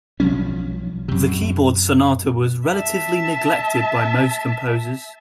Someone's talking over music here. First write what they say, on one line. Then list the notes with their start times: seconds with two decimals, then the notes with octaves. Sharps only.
The keyboard sonata was relatively neglected by most composers.
0.20 B1 F3 G3 C#4
1.08 F#2 C3
2.68 E5 A5